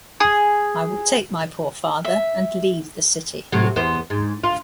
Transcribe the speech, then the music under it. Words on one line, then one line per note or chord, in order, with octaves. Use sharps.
I will take my poor father and leave the city.
G#4
E5
A2 C3 F#3
E2 B3 C5
G#2
F4